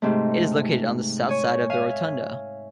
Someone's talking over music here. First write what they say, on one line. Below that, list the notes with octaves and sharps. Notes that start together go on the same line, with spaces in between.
It is located on the south side of the rotunda.
G#2 C3 A3
C#5 G#5
E5 F5 G#5